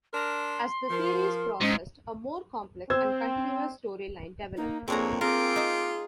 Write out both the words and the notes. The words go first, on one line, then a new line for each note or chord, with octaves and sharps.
As the series progressed, a more complex and continuous storyline developed.
D4 A#4 C6
F3 A#4
G#2 C4 C#4 D#4
C4 C5 E6 G#6
A#3 D#4
F2 A#3 C4 D4 G#4 C#5 A#5
C4 F4 G#4 A#4 D6
D#4 C5